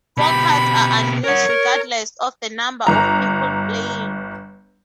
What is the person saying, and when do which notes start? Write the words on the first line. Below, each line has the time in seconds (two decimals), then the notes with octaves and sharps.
Four cards are unused regardless of the number of people playing.
0.17 B2 G4 B5
1.24 A#4 C#5 F#5
1.50 A#4
2.87 G1 A#5